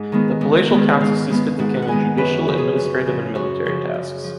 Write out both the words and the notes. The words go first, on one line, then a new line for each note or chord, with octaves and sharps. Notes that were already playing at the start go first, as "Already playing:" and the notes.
The palatial counts assisted the king in judicial, administrative and military tasks.
Already playing: G#2
D#3 G#3 B3
G#2
D#3 G#3 B3
G#2 F5
D#3 G#3 B3
G#2 F#5
F#5
D#3 G#3 B3 G#5
F#2 B4
F#4
C#3 F3
G#4
F#2
C#3 F3
F#2 F#4
C#3 F3
F#2
F3